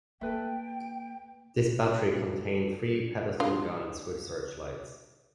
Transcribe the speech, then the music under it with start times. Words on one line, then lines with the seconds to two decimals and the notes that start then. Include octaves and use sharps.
This battery contained three pedestal guns with searchlights.
0.21 A#3 A4 B4 E5 G5
1.97 A4
3.40 D3 F4